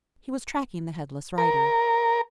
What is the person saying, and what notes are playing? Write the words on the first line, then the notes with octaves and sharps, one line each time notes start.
He was tracking the headless rider.
A#4